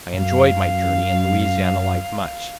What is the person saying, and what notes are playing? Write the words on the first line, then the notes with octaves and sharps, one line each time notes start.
I enjoy'd my journey and Louisiana life much.
F#2 F5